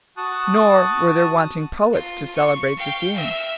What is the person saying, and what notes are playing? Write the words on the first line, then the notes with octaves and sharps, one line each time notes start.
Nor were there wanting poets to celebrate the theme.
F#4 A5 C#6 D#6 F#6
F4
C#6
F5 G5
E5 F6